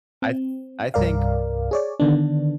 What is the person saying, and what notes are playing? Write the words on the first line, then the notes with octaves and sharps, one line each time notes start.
I th I think
C4
C2 G2 A#4 D5 F5
G#4 C#5 D5
D3 D#3 B3 D4